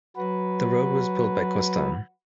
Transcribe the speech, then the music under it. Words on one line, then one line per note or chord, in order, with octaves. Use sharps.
The road was built by Costain.
F#3 F#4 B4